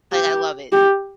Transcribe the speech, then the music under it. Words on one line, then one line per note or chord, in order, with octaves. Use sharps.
Like, I love it.
G4
G4